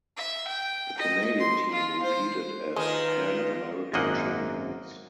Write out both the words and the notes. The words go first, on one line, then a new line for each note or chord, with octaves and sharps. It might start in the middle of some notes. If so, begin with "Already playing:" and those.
The Canadian team repeated as Pan American Champions.
E5
G5
D#5
C6
F4
C5
D#3 G#3 D#4 F4 B4
G#1 F#2 A#3 D#5 F#5